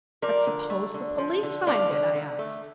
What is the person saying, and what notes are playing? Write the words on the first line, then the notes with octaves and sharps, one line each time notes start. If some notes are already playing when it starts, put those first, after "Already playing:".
"But suppose the police find it?" I asked.
F3 A#4 D5
D3
A3
D3
F3
D3
A3 D5 F5
D3
D3
A3